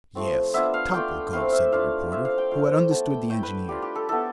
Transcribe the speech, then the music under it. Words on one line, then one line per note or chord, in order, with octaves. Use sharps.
"Yes, Top will go," said the reporter, who had understood the engineer.
F3 A3 C4
B3 D4 F4 E5
F5
A3 D4 F4 G5
A3 C4 E4 F5
E5
A3 D4 F4 F5
A3 C4 F4 E5
F5
G5
F3 A3 E4 F5
B3 E4 A5
G5
A3 E4 G5
B4
G3 D4 F4 G4
G4
A4
B3 E4 A4